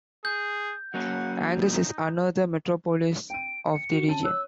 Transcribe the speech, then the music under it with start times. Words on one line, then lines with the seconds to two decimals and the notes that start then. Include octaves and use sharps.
Angers is another metropolis of the region.
0.25 G#4 G6
0.94 F#3 A#3 C#4 F#5
1.62 D#4
3.30 G5 D7 D#7
3.73 C#7
3.91 F#4
4.08 C#4 A5 D#7
4.24 C#5 E6 F#6